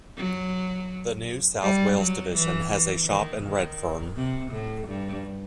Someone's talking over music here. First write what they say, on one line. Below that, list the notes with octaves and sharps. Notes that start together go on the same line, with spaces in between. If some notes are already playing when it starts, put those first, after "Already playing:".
The New South Wales Division has a shop in Redfern.
F#3
G3
F#3
E3
E3
D#3
D#3
C3
A2
G2